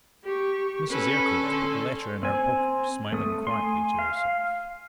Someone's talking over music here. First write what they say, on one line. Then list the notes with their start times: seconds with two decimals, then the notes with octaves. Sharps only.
Mrs. Eyrecourt put the letter in her pocket smiling quietly to herself.
0.24 G4 C#6
0.90 C#4 A4 B4
1.40 D3 C6
2.23 C4 G#5
3.13 A3 D#6
3.47 G#5 C6
3.99 F5